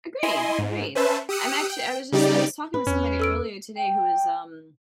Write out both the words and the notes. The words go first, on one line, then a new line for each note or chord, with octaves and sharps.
Agreed, agreed. I'm actually, I was just I was talking with somebody earlier today who is, um,
E4 D#5 G#5 C6
G#2
C#4 B4 C5 E5 A5
G4 D#6 E6 F#6 C#7
G5
C#3 G3 D#4 G4 D5
B4
E2 C#4
A4 E6 D7
G5